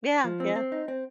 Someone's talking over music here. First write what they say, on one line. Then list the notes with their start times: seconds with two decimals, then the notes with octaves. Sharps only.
Yeah, yeah.
0.24 F3
0.40 C4
0.55 C4
0.72 D#4
0.88 C4